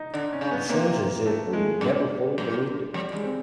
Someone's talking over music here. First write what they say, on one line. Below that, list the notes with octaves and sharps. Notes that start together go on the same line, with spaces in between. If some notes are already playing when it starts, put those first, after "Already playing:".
It seems as if we never fully believed it.
Already playing: D#4
D3 D4
C#4
C#3
B3
C3 A#3
A3
G#3
F#2 G3
F#2
F2 G3
E2 G#3
C4